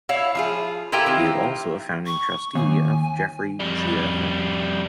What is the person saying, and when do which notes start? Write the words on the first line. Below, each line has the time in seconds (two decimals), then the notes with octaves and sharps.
He is also a Founding Trustee of the Jeffrey Cheah Foundation.
0.09 E4 C#5 E5 F5
0.35 F3 F4 G#4
0.92 E4 F4 G4 A4 A#4
1.06 D#3 C4
2.06 C#6
2.55 D#2 G#5
3.60 F2 G3